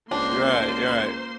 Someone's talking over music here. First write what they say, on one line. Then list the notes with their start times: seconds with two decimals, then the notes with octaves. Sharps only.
You're right, you're right.
0.11 C#2 A#3 D4 C5 C6